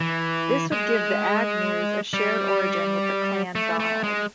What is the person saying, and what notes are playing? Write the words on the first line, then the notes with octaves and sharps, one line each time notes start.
This would give the Agnews a shared origin with the Clan Donald.
E3
G#3
G3
A3
A3
G#3